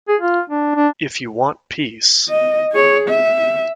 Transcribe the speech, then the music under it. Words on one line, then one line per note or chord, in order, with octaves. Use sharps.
If You Want Peace...
G#4
F4
D4
D4
D#5
G#4 C#5
E5